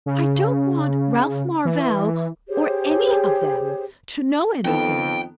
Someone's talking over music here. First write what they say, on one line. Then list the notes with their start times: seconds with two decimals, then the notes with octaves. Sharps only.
I don't want Ralph Marvell--or any of them--to know anything.
0.06 C#3
1.65 E3
2.48 G4 G#4 C5 C#5
4.65 F2 D#3 B3 A4 G5